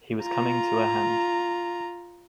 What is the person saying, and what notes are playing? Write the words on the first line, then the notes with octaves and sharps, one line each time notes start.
He was coming to her hand.
F4 A#5